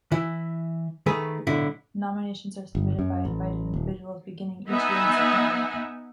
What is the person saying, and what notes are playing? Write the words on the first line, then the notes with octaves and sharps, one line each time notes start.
Nominations are submitted by invited individuals beginning each year in September.
E3 E4
D#3 A3 G#4 B4
B1 A2 D3 E4
G1
F#2
A1
D#1
B3 D#4 E5 F#5 G#5